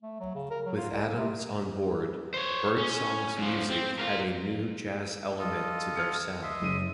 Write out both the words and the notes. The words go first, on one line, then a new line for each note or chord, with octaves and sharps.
With Adams on board, Birdsongs music had a new jazz element to their sound.
A3
F#3
C#3
A#4
F#3
F4
C2
A#3
C3
C5 C#5
C#4
G#2 F3
C4
F4 A#4
F4 A4 D#5
F6 G#6 C#7
D#5 E5 C6
F#1 D#7